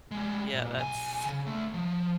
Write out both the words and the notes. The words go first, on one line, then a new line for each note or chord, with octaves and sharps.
Yeah, that's
G3 G#3
A#2
B1 G#5
C#3
D3 A3
F3